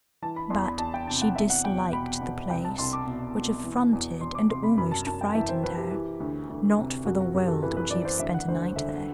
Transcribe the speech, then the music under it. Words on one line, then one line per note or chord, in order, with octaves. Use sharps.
But she disliked the place, which affronted and almost frightened her; not for the world would she have spent a night there.
E3 A5
B5
E2 C6
B5
E2 A5
G5
C3 A5
F#5
E2 E5
F#5
E2 G5
B2 B5
B2
C2 G5
A5
C2 C6
D6
B2
B2
E3
E2
E2 C6
D6
C3 C6
B5
F#2 B5
A5
F#2 A5
G5
E3 E5
C5
E3 B4
G4
E3
D2
D2
C3
F#2 F#4
F#4
F#2 G4
A4
E3 B4
B4
E3 D5
C5
D2 E5
F#5
D2 C5
C5
D3 E5